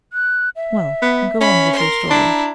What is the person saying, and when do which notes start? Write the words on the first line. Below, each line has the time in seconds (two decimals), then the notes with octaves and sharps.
"Well, go on with your story."
0.13 F#6
0.56 E5
1.02 B3
1.41 C#4 B5
1.73 A#4 C6
2.10 D4 E4 A#5